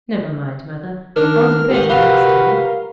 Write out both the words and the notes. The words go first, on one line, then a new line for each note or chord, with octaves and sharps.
'Never mind, Mother; I'll do better next time.'
D#3 D4 A#4 F6
G#2 D#3 B3 G4
C3 F4 F#4 B4 F5